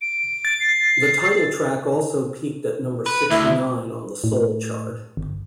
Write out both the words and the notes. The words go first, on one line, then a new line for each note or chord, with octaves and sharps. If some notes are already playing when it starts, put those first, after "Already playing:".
The title track also peaked at number sixty-nine on the soul chart.
D7
A6
C7
B4
D2 E4
A2
G1